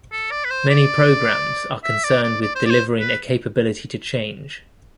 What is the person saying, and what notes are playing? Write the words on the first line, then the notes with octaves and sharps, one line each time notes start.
Many programs are concerned with delivering a capability to change.
A4
D5
B4
C5
D5
E5
D5
D5
D5
C5
D5
C5
B4